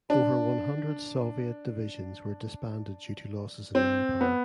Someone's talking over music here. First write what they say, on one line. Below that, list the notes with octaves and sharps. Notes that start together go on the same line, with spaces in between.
Over one hundred Soviet divisions were disbanded due to losses in manpower.
D4
C4
B3